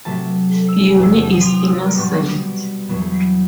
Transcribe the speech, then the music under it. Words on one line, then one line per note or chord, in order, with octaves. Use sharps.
Unni is innocent.
C3 F#3 A3 A5
E6
E2 C3 F#3 E6
D#6
C6
D#6
E6
B2 G3 B3
E2 B2 F#3 B3